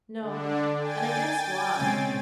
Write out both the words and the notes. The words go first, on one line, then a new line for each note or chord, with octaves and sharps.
'No; and I guess why.
D3 D4
G5 G#5 A6
C#3 G#3 C4